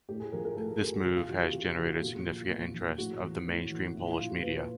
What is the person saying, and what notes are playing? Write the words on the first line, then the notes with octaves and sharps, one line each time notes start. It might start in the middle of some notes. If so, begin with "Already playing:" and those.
This move has generated significant interest of the mainstream polish media.
A2 G4
G#4
F3 A#4
A#4
A2 A4
G#4
F3 G4
F#4
C3
F4
E3 F#4
G4
C3 G4
E3 F4
F#4
A#2 F#4
F3
A#2
F3
A2 F#4
E3
A2
E3
A#2 E4
F4
F3 F4
F#4
A#2 B4